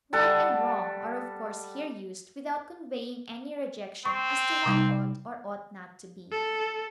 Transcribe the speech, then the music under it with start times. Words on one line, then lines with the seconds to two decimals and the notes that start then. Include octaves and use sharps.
"Right" and "wrong" are of course here used without conveying any rejection as to what ought or ought not to be.
0.13 G3 A4 F#5 A5
4.05 C4 C#6
4.66 C3 G3 D#4
6.31 A4